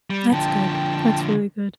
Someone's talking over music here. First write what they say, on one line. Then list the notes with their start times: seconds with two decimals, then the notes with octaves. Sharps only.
That's good. That's really good.
0.10 G3
0.32 D3 F3 G5 A5